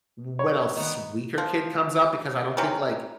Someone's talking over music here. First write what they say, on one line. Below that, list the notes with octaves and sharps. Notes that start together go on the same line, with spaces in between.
when a s weaker kid comes up because I don't think, like,
C#5
D#3 B3
F3
C3 C#4 D#4 B4